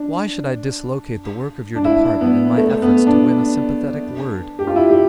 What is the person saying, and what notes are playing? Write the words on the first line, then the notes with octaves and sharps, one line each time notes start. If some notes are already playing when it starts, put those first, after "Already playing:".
Why should I dislocate the work of your department in my efforts to win a sympathetic word?
Already playing: D4
D4
E4
B3
A3
B3
D4
G4
F4
E4
G4